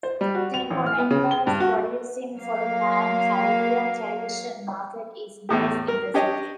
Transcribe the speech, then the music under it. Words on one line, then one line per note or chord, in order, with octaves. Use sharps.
Tempo Networks, producing for the pan-Caribbean television market, is based in the city.
C5
G3
F#4
F7
A1
F6
B3
C#3
G7
G2
F#4
F#3 A#3 F5
E2 A2 G4
A#4
D4 G4 C#5 D#5